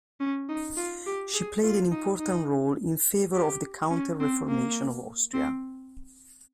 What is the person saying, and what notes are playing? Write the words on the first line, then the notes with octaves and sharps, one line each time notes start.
She played an important role in favor of the counter reformation in Austria.
C#4
D#4
F4
G4
G#4
F4
D#4
D#4
G4
C#4
C4
A#3
C4